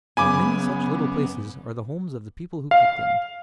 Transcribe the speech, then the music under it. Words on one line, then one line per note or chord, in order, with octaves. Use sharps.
Many such little places are the homes of the people who keep them.
F#2 C#3 B3 G#5 B5 D6
F5